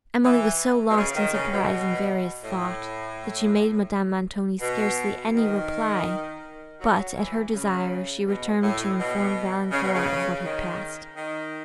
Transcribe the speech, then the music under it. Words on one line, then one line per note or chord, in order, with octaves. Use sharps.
Emily was so lost in surprise and various thought, that she made Madame Montoni scarcely any reply, but, at her desire, she returned to inform Valancourt of what had passed.
E3
B2
C#3
D#3
C#3
B2
A2
B2
D#3
F#3
E3
C#3
B2
A2
B2
C#3
B2
C#3
D#3
D#3